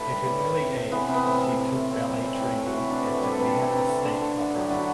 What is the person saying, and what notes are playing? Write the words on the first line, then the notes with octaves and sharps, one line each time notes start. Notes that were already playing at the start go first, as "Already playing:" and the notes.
At an early age she took ballet training at the Vienna State Opera.
Already playing: A2 D3 A3 G4 A4 B4
G3
A2
A2
C3
C3
E3 B3
C3
B3
A2 C4
A2
A2
A3
A2 C4
G3
A2 C4
A2
A3
F#4
E3 E4
C3 D4
A3
G3 B4
A4
C3 B4
A4
C3
C3
D3
D3
D3 A4
D3
F#3 G4
F#4
D3 E4
F#4